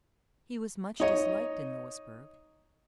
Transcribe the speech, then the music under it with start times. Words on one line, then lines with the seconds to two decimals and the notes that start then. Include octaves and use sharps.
He was much disliked in Louisbourg.
1.00 D#4 C#5 D#5